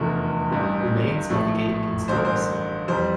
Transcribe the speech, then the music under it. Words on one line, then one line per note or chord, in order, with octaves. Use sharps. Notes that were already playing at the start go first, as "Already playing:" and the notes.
Remains of the gate can still be seen.
Already playing: F1 E2 D3 F3 A3 A#4
A1 G2 E3 G3
A#1 A2 F3 A3
A1 G2 D3 C5
A#4
C5
F2 E3 G3 C5